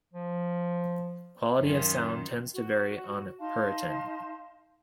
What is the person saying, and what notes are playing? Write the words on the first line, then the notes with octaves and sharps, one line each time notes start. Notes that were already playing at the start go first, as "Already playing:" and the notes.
Quality of sound tends to vary on Puritan.
F3
F#2 D#3 C#4 F4
F#4
D#4 F5 A5 C6